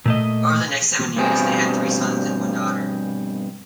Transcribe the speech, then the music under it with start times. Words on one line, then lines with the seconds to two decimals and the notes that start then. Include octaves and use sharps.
Over the next seven years they had three sons and one daughter.
0.06 A#2 A3 D#5
1.16 G2 B2 C4 G#4